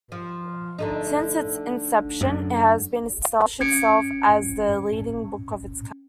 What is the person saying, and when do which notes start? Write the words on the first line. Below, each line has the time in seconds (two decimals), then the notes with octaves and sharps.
Since its inception, it has established itself as the leading book of its kind.
0.12 F3
0.78 D3 A3 D#4
2.21 F#2
3.60 C#4 G#6 C#7 D7